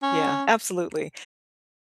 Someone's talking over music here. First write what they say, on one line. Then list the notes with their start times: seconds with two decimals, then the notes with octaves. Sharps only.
Yeah, absolutely.
0.03 C#4